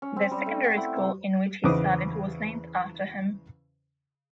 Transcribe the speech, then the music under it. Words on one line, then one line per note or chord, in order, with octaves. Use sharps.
The secondary school in which he studied was named after him.
C#4
C4
G3
A3
F#5
E4
C3
E2 C#3 B4 C5 D6 D#6